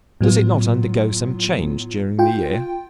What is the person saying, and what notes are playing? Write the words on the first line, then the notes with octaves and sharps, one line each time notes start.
Does it not undergo some change during the year?
A2 F#3 B3 F4
F4 G5